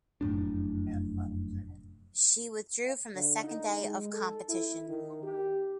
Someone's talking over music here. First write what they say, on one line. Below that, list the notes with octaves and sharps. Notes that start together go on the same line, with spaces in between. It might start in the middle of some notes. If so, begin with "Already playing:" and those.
She withdrew from the second day of competition.
F1 F#2 A2 D4
D3
D#4
G#3
A4
E4
D#3
G4